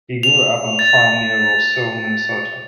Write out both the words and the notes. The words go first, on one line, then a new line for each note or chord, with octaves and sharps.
He grew up on a farm near Roseau, Minnesota.
F7
A6